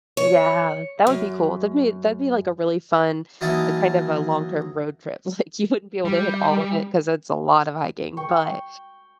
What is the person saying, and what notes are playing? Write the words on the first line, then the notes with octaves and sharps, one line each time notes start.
Yeah, that would be cool. That'd be that'd be, like, a really fun a, kind of, a long-term road trip, like, you wouldn't be able to hit all of it 'cause it's a lot of hiking, but
C#5
F#2
E3 F#3 A#3 D#4 A5 D#6
G3
G5 C#6